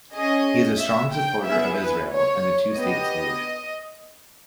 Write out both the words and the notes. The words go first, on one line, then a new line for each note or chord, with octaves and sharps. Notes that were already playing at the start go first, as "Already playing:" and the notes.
He is a strong supporter of Israel and the two-state solution.
C#4 G#4 D#5
E5
G5
B3 E4 G#4 E5
B4
C#5
B3 G4 D#5